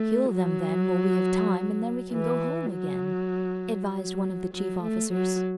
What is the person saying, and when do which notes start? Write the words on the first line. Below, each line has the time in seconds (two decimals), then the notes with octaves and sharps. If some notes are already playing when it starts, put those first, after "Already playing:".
"Kill them, then, while we have time, and then we can go home again," advised one of the chief officers.
Already playing: A3
0.32 F#3
2.12 E3
2.72 F#3
3.93 F#3
4.53 F#3
4.83 A3
5.13 F#3